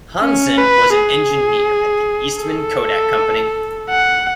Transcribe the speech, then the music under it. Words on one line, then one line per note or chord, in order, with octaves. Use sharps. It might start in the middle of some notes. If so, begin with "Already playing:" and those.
Hansen was an engineer at the Eastman Kodak Company.
C#4
B4
G#4
A4
F#5